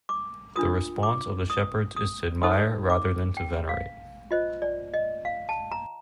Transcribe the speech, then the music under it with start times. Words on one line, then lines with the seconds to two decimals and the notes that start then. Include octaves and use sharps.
The response of the shepherds is to admire rather than to venerate.
0.09 D6
0.56 D4 F4 A#4 D#6
1.03 D6
1.50 D#6
1.96 D#6
2.43 D#4 A4 C5 D#6
2.90 D6
3.37 G5
3.69 F5
4.31 F4 C5 D#5
4.62 D5
4.94 D#5
5.25 F5
5.49 A5
5.72 A#5